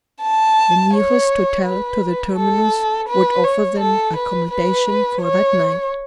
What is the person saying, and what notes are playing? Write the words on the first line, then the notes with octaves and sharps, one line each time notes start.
The nearest hotel to the terminus would offer them accommodation for that night.
A5
C#5
B4
A4
B4
C#5
A4
B4
B4
C#5